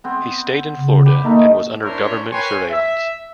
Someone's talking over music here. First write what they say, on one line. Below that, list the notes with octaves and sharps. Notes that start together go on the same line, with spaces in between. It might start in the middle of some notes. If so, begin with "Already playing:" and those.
He stayed in Florida and was under government surveillance.
B3 C4
C#3
G4 B4
D#3 A3 A#3 D#4
C#4 D4 E4 A#4 C5 C#5
A#4 B4 C#5 G5 G#5 C6
E5